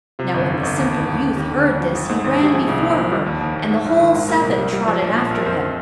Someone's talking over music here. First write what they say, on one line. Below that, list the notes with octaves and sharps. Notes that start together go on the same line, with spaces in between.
Now, when the simple youth heard this, he ran before her, and the whole seven trotted after him.
C3 F4
G1
F2
G1
D#2
D#2
D#2
D#2
D#2 G4
D3
D#2
F3
G#1
G#2
G#1
G#1 G4
F3 G#4
C2
A#2
F3
G3
D#2
D#2
D#2
G#2
A#1
D#3
G#2
A#2 A#4
C2
G3
G3
F3
A#1
A#2
A#1
A#4
F2 C5